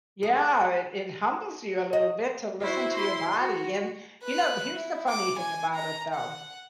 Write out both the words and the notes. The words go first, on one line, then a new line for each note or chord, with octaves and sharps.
Yeah, it it humbles you a little bit to listen to your body, and, you know, d here's the funny thing about it, though.
G#4
D#5
E4 F#4 C5 E5
E4 C6
F#4
B4 F#6
E4
D6
G#5
A#5
F#5